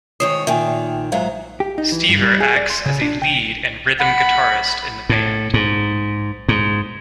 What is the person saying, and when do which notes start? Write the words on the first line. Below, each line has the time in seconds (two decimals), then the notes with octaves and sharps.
Stever acts as a lead and rhythm guitarist in the band.
0.20 G#2 D#3 C#5 D#6 C7 E7
0.47 A#2 D#3 E5 G5 G#5
1.12 G#2 F#3 F#4 C5 E5 F5
1.60 G4
1.78 D#4
1.92 E3
2.09 G2
2.22 G3
2.40 G#4
2.56 D5
2.70 C6
2.86 C#3
3.01 D4
3.22 G5
4.00 F#5 B5
5.09 A2
5.54 G#2
6.48 G#2